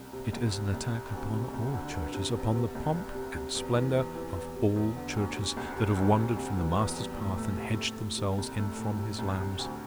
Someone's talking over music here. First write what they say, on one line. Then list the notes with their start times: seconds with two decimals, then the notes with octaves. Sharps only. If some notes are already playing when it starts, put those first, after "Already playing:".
It is an attack upon all churches, upon the pomp and splendor of all churches that have wandered from the Master's path and hedged themselves in from his lambs.
Already playing: C2
0.13 C3
0.33 C2
0.53 C3
0.73 C2
0.94 C3
1.14 D2
1.34 C3
1.54 C2
1.74 D3
1.94 G2
2.14 C3
2.34 E2
2.54 C3
2.75 C2
2.94 G3
3.15 C3
3.35 C3
3.55 E2
3.76 E3
3.96 C3
4.15 E3
4.35 E2
4.56 C3
4.76 E2
4.97 D3
5.16 D2
5.36 C3
5.57 C2
5.76 C3
5.97 D2
6.17 C3
6.36 C2
6.57 E3
6.77 E2
6.97 G3
7.17 A2
7.37 A3
7.57 C3
7.78 A3
7.98 A2
8.18 C3
8.38 C2
8.59 A3
8.78 A2
8.99 C3
9.19 C2
9.39 C3
9.59 D2